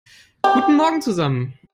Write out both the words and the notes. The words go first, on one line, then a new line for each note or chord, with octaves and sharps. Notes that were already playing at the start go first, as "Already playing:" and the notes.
Guten Morgen zusammen!
G4